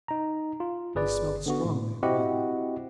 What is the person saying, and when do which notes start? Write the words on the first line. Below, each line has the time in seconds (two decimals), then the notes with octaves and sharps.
He smelt strongly of rum.
0.08 D#4 A#5
0.60 F4
0.95 G1 G#4 B4 D5
1.46 D3 B3 F#4
1.65 A2
2.03 C4 E4 F#4 G4 D#5 F#5